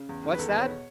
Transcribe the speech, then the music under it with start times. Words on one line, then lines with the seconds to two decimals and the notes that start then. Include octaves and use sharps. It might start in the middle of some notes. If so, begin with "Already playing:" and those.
"What's that?"
Already playing: C#3
0.09 E2
0.24 D#3
0.34 B4
0.38 E2 A4
0.49 B4
0.53 B2
0.59 C#5